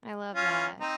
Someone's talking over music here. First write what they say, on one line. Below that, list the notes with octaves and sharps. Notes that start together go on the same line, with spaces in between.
I love that.
C#4 F4
C4 D#4